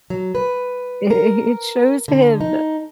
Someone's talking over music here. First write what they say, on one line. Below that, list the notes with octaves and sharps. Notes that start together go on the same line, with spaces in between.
it it shows him
F#3
B4
A#4
D3
D#4